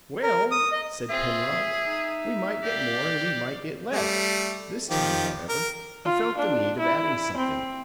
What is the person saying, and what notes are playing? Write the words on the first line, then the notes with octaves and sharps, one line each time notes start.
"Well," said Penrod, "we might get more and we might get less." This time, however, he felt the need of adding something.
A#4
D#6
D#5
C4 F4 G#4 E5
D#4
G4 D5 F5
G3 A3
D#3 F3 G4
A#4
F4
D4
E4
C4